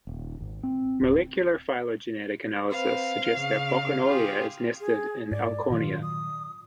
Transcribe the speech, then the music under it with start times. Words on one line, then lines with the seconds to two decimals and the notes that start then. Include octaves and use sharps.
Molecular phylogenetic analyses suggest that "Bocquillonia" is nested in "Alchornea".
0.07 D#1
0.41 G#1
0.63 C4
1.02 D1
2.71 C4 B4 F5
3.35 C#3
4.06 F4 G4 G#4
4.80 G#4
5.31 G#2 D5
5.70 A#2 D#3 F#3 F4
6.02 D#6